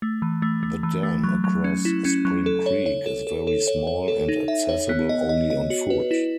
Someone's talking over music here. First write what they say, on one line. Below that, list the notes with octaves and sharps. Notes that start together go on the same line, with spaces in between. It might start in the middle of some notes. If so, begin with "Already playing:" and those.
The dam across Spring Creek is very small and accessible only on foot.
A3
E3
A3
A3
E3
A3
F#3
F#3
C#4
E4
C#4
F#3
A4
C#5
C#5
A4
A4
A4
C#5
C#5
A4
D#4
E5
C#5
B3
D#5
D#5
D#5
F#4
B4
E4